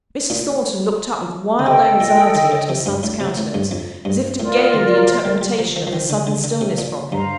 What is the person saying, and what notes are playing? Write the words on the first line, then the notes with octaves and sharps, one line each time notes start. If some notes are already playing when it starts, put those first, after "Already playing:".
Mrs. Thornton looked with wild anxiety at her son's countenance, as if to gain the interpretation of the sudden stillness from him.
A#2
D3
C3 A4 D#5 G5
A#2
D#3
D3
C3
G2
A2
C3
A2
G2
F2
G2
A2 F4 A#4 D5
D#3
F3
G3
G3
F3
F3
F3
D#3
D3
D3
D3
C3
A#2
G2 C5 F5 A#5